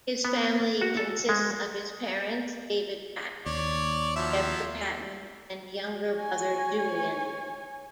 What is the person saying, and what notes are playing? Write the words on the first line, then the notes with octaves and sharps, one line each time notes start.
His family consists of his parents David Patton, Deborah Patton and younger brother Julian.
B3
F#4
A4
G#3
D#2 C#5 D5
F3 F#3 E5
C#5 G#5